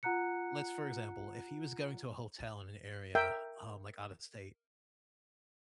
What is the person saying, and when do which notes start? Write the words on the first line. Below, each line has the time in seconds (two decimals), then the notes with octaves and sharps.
Let's for example, if he was going to a hotel in an area, um, like out of state,
0.03 F4 F#5 A#5 F#6 C#7
3.15 A#4 E5 G5